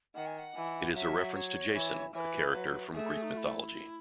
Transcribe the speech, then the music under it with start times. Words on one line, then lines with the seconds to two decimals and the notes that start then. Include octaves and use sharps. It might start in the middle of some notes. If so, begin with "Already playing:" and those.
It is a reference to Jason, a character from Greek mythology.
0.15 D#3 F#5
0.27 G#5
0.38 F#5
0.56 E3
0.94 F#3 E5
1.35 C#5
1.74 E3
2.14 E3 B4 C#5
2.54 F#3
2.93 A3 G#4
3.23 D#4
3.34 F#4
3.37 E4